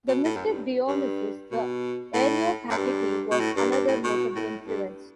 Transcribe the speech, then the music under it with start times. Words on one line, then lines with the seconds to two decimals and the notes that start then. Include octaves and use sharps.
The mystic Dionysius the Areopagite was another notable influence.
0.08 B2
0.24 A2
0.36 F#2
0.45 G2
0.87 G2
1.51 B2
2.14 A2
2.70 F#2
2.77 G2
3.31 B2
3.40 A2
3.56 G2
3.72 G2
3.88 A2
4.04 B2
4.35 A2
4.67 G2